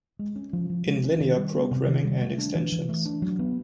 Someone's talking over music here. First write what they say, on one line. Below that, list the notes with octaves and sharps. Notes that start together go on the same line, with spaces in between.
In Linear Programming and Extensions.
G#3
C#4
F3
F3
G#3
C#4
D#3
G3
B3
C3
D#3
G3
A3
D4
E3
E3
A3
D4
F#3
B3